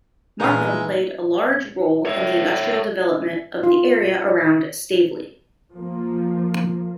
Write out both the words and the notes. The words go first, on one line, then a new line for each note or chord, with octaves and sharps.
Markham played a large role in the industrial development of the area around Staveley.
A#2 E3 G#3 D#4 F5
C#5 E5
F4
F3 A#3